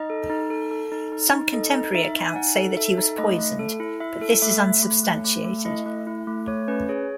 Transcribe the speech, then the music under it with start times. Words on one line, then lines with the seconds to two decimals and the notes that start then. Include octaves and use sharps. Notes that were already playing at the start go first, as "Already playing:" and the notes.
Some contemporary accounts say that he was poisoned, but this is unsubstantiated.
Already playing: D#4 D#5
0.10 A4
0.30 D#4
0.50 A4
0.71 A4
0.92 D#4
1.12 D#4
1.33 D#4
1.53 A4 D#5
1.73 D#4
1.94 D#4 E5
2.15 D#4
2.25 G#5
2.35 D#4 F#5
2.56 A4
2.77 A4 E5
2.98 D#4
3.18 A3 D#5
3.39 A3
3.59 A4
3.80 E4
4.00 E4 E5
4.21 A4
4.42 A3 E5
4.62 A3
4.83 A3
5.03 A3
5.24 A3
5.45 A3
5.65 E4 D#5
5.86 A3
6.07 E4
6.27 A3
6.47 A3 C#5
6.68 C#4 B4
6.89 G#4 C#5